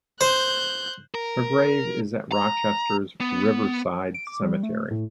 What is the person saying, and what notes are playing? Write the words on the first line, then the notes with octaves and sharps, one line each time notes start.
Her grave is at Rochester's Riverside Cemetery.
C5 F#6 G6
A#4
A#5
B3
D7
D6
G3
A3
A2